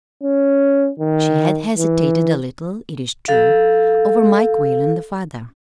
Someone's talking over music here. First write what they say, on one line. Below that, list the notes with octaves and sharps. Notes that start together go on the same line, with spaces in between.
She had hesitated a little, it is true, over Mike Whalen, the father.
C#4
D#3
E3
A4 F5